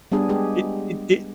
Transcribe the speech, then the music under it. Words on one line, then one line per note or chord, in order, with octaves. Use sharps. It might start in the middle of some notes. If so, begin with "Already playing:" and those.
Did did di
G3 B3 D4 G#4
G#3 G4 G#4